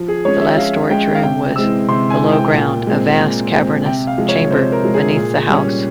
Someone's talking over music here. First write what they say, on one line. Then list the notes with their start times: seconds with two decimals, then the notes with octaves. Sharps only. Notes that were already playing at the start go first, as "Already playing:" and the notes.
The last storage room was below ground, a vast, cavernous chamber beneath the house.
Already playing: F3
0.08 G#4
0.25 G#3 C#4 C#5
0.41 E5
0.57 F3 F5
0.90 G#3 C#4 G5
1.15 F5
1.23 C3 G5
1.56 E3 G#3 C4 E6
1.88 C3 C6
2.10 G#5
2.21 E3 G#3 C4 G#5
2.32 G5
2.54 A#2
2.87 G#3 C4
3.19 A#2
3.52 G#3 C4
3.85 C3 G5
4.07 F5
4.18 F3 G#3
4.29 C#5
4.50 C3 C5
4.72 A#4
4.84 F3 G#3
4.94 G#4
5.16 A#2
5.49 G3 C#4